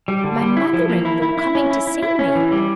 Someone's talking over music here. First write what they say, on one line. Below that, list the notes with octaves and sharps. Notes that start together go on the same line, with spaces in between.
My mother-in-law coming to see me!
G3
D3
G3
E4
F3
A#3
E4
E4
E4
C#4
E4
E4
E4
C#4
E3
G3